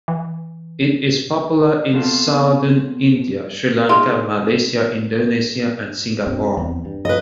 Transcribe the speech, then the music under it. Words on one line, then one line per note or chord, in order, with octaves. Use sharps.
It is popular in southern India, Sri Lanka, Malaysia, Indonesia, and Singapore.
E3
B3 C4 F4 A4 F5 A5
G#3 D#4 F4
G2 B2 C4
E2 C4
G2
B4 D#5